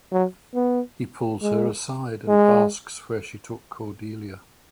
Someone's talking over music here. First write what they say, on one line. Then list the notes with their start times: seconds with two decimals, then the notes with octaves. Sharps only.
He pulls her aside and asks where she took Cordelia.
0.11 F#3
0.54 B3
1.42 G#3
2.28 G#3